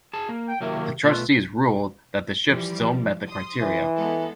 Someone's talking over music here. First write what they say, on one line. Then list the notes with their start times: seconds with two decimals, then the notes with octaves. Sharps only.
The trustees ruled that the ship still met the criteria.
0.14 G#4 A5
0.29 A#3
0.48 G5
0.61 C3 D#3 F#3 A#3 E4
1.04 B2 A3 F4 B4
2.45 E3 F3 G3
3.27 C6 D#6
3.61 E3
3.97 G#3 B3 A4